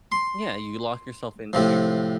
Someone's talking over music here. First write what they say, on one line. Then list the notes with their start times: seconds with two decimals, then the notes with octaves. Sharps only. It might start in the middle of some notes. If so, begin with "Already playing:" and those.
Yeah, you lock yourself into
0.12 C6
1.53 A2 C3 F3